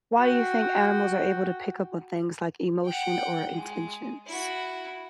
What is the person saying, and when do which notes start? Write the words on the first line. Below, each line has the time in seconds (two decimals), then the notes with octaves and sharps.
Why do you think animals are able to pick up on things like emotion or intentions?
0.17 F#4 G5
2.85 F#5 G5
3.52 G#3
4.27 E4 F#4